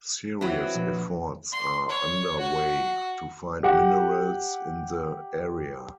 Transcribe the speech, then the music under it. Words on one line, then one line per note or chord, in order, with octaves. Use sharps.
Serious efforts are underway to find minerals in the area.
E3 F#3 C4
A#1 B4
C6
C#5
F#4
G4 F#5